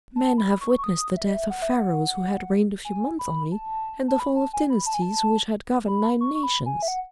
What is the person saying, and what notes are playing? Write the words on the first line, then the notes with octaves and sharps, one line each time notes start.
"Men have witnessed the death of pharaohs who had reigned a few months only, and the fall of dynasties which had governed nine nations."
A5
B5
C#6
C#6
D#6
E5
D#5
E5
F#5
E5
F#5
G#5
B5
A5
A5
B5
A5
G#5
B5
A5
G#5
A5
B5
C#6
C#6
B5
G#5
E5
F#5